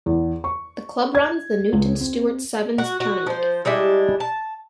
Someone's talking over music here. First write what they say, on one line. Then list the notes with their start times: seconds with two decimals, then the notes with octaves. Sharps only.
The club runs the Newton Stewart Sevens tournament.
0.06 E2
0.44 C#6
1.15 G#6
1.72 C#2
2.01 C4
2.78 F#4
3.00 F#4
3.26 F3 C5
3.65 G3 G#3 D4 E4
4.20 A5